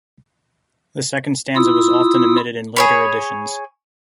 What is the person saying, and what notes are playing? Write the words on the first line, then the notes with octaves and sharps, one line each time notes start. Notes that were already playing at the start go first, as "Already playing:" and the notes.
The second stanza was often omitted in later editions.
E4 F4 D#6 E6
G#4 C#5 B5